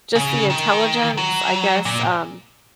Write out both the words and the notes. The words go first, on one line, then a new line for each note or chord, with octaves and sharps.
just the intelligence, I guess, um,
C#3
D#3
F#3
A#2